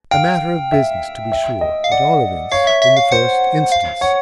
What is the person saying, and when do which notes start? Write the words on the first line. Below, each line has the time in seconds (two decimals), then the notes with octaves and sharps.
A matter of business, to be sure--at all events in the first instance.
0.11 F5 G5
0.72 E5
1.32 E5
1.61 D#5
1.84 F5
1.92 D5 F#5
2.52 C#5 F5
2.67 E5
2.82 E5
2.97 F5
3.12 C5 F#5
3.72 F5
4.01 C#5 F#5